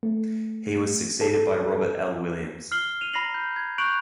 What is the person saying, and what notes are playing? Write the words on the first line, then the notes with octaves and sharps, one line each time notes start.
He was succeeded by Robert L. Williams.
A3
A4
F6 C7 F#7 G7
D#7 F7
A#5 B5 A#6 C7 F#7
G6
G#6
C#6 F#6 G6 D7 F7 F#7